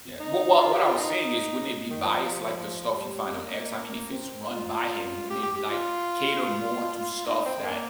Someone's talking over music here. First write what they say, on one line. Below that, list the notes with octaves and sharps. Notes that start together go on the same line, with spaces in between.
Yeah, w what I was saying is wouldn't it be biased like the stuff you find on X? I mean, if it's run by him, wouldn't it, like, cater more to stuff that,
D#4
F4
G4
F4
D#4
D#3
F3
F3
F3
G3
A#3
C4
F4
G4
G4
G4
F4
D#4
C4
A#3